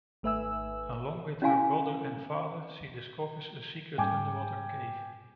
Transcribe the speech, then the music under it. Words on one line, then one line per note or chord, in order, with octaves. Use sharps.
Along with her brother and father, she discovers a secret underwater cave.
G#1 A3 B4 E5 G#5 E6
C#4 E4 F5 G#5
G#2 G3 C#4 G5 G#5 D6